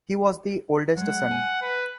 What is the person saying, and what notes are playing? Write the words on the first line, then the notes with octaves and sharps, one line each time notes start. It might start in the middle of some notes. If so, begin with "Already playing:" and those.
He was the oldest son.
F#3 G#3 F#5
G#5
B4